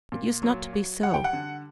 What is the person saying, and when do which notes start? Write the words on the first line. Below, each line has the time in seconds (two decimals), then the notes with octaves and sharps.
It used not to be so.
0.12 A#2
0.43 F#3
0.73 F#3
1.03 G3 F#5
1.14 G5
1.24 F#5
1.33 D3